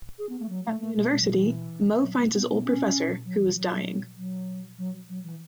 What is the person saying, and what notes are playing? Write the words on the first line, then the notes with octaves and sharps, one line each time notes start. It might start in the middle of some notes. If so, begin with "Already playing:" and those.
At the university, Moe finds his old professor, who is dying.
G#4
B3
A3
F#3
A3
A3
A3
G#3
F#3
E3
F#3
G#3
B3
B3
C#4
F#3
E3
F#3
F#3
F#3
F#3
E3